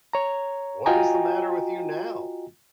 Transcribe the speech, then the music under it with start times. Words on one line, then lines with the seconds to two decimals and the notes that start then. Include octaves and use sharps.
What is the matter with you now?
0.13 C#5 A#5
0.86 F4 F#4 D#5 G5 G#5 A#5